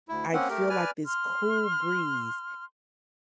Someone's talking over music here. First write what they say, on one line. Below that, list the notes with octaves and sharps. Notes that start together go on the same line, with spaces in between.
I'd feel like this cool breeze,
D2 E4
A#3 C4 C#4 F#5
A3 G4 A#4
B4 D5 G#5 F6
C6 F6